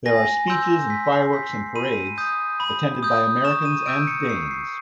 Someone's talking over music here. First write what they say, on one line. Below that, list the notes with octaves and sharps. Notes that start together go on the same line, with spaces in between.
There are speeches and fireworks and parades, attended by Americans and Danes.
G#5 A#6
C6 E6 G6
G#5 B6
C7
C6 E6 G6 B6
C7
B5 D#7
D#6 G6
B5
D#6 G6
C#6 E7
D#7
E6 G6 D7
C#7
C#6 C7
C7